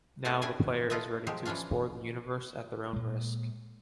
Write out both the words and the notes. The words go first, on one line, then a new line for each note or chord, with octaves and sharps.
Now the player is ready to explore the universe at their own risk.
A3 C4 E4 G4 F#5
D4 E4 G4 D5 G#5
F4 A4 B4 D#5 E5
F3 F#3 G#3 G4
E3 F3 C#4 D4 F4
A#2 G#3